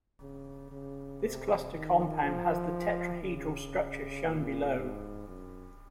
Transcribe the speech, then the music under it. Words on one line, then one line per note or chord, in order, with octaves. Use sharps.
This cluster compound has the tetrahedral structure shown below.
C#3
C#3
C3
D#3
F3
C#3
A#2
G#2
F#2